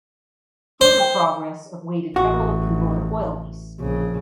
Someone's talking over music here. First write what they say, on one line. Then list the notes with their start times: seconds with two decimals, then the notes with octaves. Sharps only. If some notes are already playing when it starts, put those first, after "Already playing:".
Further progress awaited federal approval of an oil lease.
0.81 C5
2.16 A1 F#4
3.80 A#1 C#3